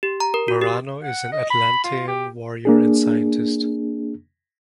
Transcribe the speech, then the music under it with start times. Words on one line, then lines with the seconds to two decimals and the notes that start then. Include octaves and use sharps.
Meranno is an Atlantean warrior and scientist.
0.03 G4
0.20 A#5
0.34 A#4
0.48 F#4
0.61 G4
1.03 F#5
1.32 D#5
1.50 B5
1.84 F4
2.07 G4
2.65 A#3 D4 G#4